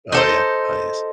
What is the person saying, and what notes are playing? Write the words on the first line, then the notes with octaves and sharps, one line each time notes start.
Oh, yeah. Oh, yes.
D#4 A4 C5